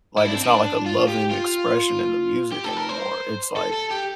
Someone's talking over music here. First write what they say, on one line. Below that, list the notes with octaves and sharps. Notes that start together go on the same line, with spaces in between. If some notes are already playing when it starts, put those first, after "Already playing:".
Like, it's not like a loving expression in the music anymore, it's like,
E4
D4
C4
D4
F4
G4
F4
G4
A4
A#4
C5
A4
A4
G4